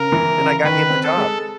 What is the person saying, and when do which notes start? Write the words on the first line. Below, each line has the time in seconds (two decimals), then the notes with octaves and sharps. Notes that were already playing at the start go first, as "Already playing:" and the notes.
and I got him the job.
Already playing: C#3 A#4
0.12 E3
0.38 C#3
0.64 D#3 B4
0.90 C4
1.03 A4
1.15 G#3